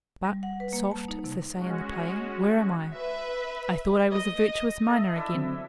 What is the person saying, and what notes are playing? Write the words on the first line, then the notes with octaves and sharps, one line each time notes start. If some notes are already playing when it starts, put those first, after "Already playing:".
"But, soft," as they say in the play, "where am I?" I thought I was a virtuous miner again.
G3
F#5
B4
A#3
A5
D#4
C3
G#3 C#4 F#4
B4 E5
D#5
A4 D#5 E5
D4 E4 E5
D3 F#3 C4